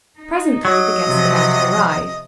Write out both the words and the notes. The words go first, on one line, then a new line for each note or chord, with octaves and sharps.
Presently the guests began to arrive.
D#4
F#3 D#5
C3 F3